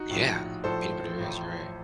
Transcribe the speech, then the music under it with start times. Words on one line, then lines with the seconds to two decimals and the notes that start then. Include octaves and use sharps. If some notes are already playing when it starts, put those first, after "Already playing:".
Yeah, peanut butter is, right.
Already playing: D#4 F#4
0.10 A#1 A2 F3
0.64 A#1 A2 F3 A4 C5
1.18 A1 A2 F3